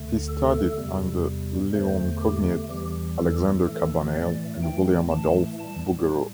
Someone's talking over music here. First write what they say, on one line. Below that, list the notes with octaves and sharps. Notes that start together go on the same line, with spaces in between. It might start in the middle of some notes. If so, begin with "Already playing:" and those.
He studied under Leon Cogniet, Alexandre Cabanel and William-Adolphe Bouguereau.
Already playing: D2 D3 A3
A4
E2 C3 G3
E2 D3 A3 C5
G4
E2 E3 G3 G4
A4
A2 E3 A3 A4
D5
A2 E3 A3 G5
A5
A2 G3 A5